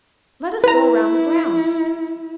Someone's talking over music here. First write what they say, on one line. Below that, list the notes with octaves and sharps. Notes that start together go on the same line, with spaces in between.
"Let us go around the grounds."
E4 B4 A#5